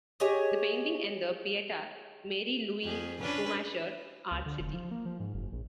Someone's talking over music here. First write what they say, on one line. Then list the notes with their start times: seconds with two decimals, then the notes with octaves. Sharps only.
The painting and the Pieta - Mary Louise Schumacher: Art City.
0.20 G4 G#4 C#5 D#5
2.83 F2 G#4
3.21 C#4 D4 B4
4.31 C#2
4.46 D3
4.60 F1
4.73 F3
4.91 A#3
5.06 F3
5.20 G#2
5.34 F#1
5.52 A#1